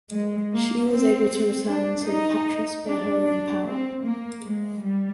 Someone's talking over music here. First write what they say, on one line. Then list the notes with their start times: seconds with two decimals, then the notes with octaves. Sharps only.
She was able to return to Patras by her own power.
0.12 G#3
0.51 A#3
0.90 C4
1.69 D4
2.08 D#4
2.86 D4
3.26 D4
3.65 C4
4.04 A#3
4.44 G#3
4.82 G3